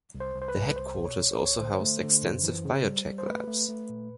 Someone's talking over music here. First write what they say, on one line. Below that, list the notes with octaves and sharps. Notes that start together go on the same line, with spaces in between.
The headquarters also housed extensive biotech labs.
C2
C5
C2
C5
B4
C2
C2 C5
B2
C#5
C2
C5
C2
C#5
D3 C5
A3
D3
F#2
E3
C#3
G3
G3
C5
A3 B4
A3
A3
A#2